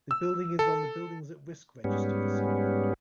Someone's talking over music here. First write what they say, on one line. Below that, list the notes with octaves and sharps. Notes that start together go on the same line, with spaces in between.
The building is on the Buildings at Risk Register for Scotland.
E6
A4
G#2 G3 B3 C#4